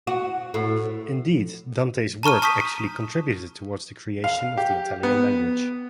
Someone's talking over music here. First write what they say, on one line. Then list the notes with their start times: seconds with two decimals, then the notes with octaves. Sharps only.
Indeed, Dante's work actually contributed towards the creation of the Italian language.
0.07 F#4
0.54 A2
2.23 A5 A#5 C#6 F6 D#7
2.42 A5 C#6 D#6 G6 B6
4.24 F5
4.57 G4
5.03 B3